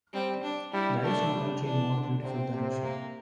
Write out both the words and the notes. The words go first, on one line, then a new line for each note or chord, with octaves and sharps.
There is no country more beautiful than Russia!
G3 C4
D4
G3 E4
A3 D4
G3
E3 D4
D3
C3 C4
C3
A#3